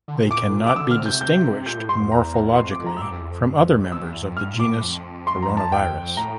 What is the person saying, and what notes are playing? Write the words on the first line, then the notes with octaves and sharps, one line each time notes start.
They cannot be distinguished morphologically from other members of the genus "Coronavirus".
D3
C3
A#2
A2 D6
A#2
A2
A#2
C3 D6
D3 E6
F6
C3
G6
C3 G6
A#2 G6
A2
G2 C6
F2
E2 A#5
A#5
F2 C6
D6
F2
A#5
E6
G2 D6
F2
E2
F2
G2
F2
E2
F2
F2 E6
E2
F2
G2 F6
A#2
A2 D6
F2
C6
A#5
A5
E2 G5
F2
F2
A2 A#5